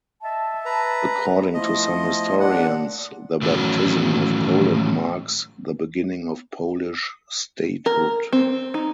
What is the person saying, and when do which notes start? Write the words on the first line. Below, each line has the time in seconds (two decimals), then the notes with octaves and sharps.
According to some historians the baptism of Poland marks the beginning of Polish statehood.
0.23 D#5 E5 A5
0.66 B4 A#5
1.54 F3 A3 E4 D#5 C6
2.40 A#2 D4 F#5
3.42 A2 D#3 E3 F#3 C#4 F#4
7.86 A#4
8.33 C4
8.74 D#4